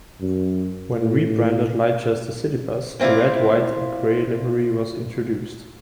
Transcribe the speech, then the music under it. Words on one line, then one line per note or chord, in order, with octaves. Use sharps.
When rebranded Leicester CityBus, a red, white and grey livery was introduced.
F#2
A2
A#3 C4 E4 F4 D5